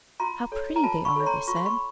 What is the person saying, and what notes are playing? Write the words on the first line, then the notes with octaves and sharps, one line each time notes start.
"How pretty they are!" they said.
F4 A#5 C6
A4 C#5
A#5
F4 A5 B5
B5 C#6
A4 C#5
A#5 C6
F4 C#6
C6
B5 C#6